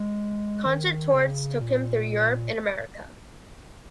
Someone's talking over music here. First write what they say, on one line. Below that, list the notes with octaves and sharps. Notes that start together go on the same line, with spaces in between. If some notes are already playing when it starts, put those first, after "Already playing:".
Concert tours took him through Europe and America.
Already playing: G#3
D#3
C#3
A#2